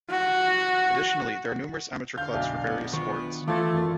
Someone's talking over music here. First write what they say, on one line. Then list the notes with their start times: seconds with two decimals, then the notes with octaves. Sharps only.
Additionally there are numerous amateur clubs for various sports.
0.10 F#4
2.18 D3 F5 G6
2.33 B1 D4 E5
2.66 B3
2.93 D#3 D4 F4 C#6
3.48 E3 A3 F4 E5 D6 G#6 A6
3.73 G#1 A#3